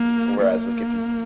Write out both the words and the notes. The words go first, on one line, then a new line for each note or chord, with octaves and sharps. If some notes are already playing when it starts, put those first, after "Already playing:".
whereas, like, if you
Already playing: A#3
A#3